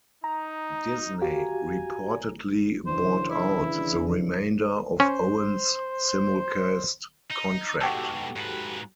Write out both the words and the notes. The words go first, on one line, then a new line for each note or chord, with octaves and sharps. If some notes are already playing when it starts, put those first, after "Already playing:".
Disney reportedly bought out the remainder of Owens' simulcast contract.
D#4 A#5
F#4 G4 F5 G#5
C#3 E3 D4 C5
E4
C#4 C5
D#4
G#2 B2 F#4 G4 A4
G#2 B4